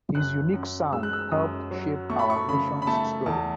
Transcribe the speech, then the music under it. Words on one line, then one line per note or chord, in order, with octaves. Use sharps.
His unique sound helped shape our Nation's story.
F#2 F#6
F#2
G#3 E6
F#6
E6
F#2 D#6
F#3
A3 C#6
B5
C#6
C#3 B5
B5
A3 A5
E2 A5